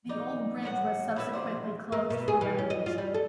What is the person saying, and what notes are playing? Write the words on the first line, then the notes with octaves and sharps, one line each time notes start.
The old bridge was subsequently closed for renovation.
D#4 D5
A2 A#3 D#4 F#5
A2 B4 E5
F3 B3 C5 D5
A#3
B2
G#4
E3
C#4
D#5
F4
G3
A4